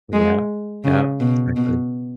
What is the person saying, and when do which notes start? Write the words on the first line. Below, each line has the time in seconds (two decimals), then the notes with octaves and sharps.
Yeah, yeah, exactly.
0.13 G#3
0.84 C#3
1.20 B2
1.56 B2